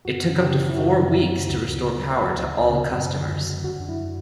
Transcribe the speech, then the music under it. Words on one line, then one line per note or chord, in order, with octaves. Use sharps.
It took up to four weeks to restore power to all customers.
F#2 F#4
C#3
G4
E3
E4
F#2 F#4
F#2
C#3
D2
C#3
F#3
D2 F#4
D2
C#3
F#2
D3
F#3
F#2 F#4
D4
F#2 E4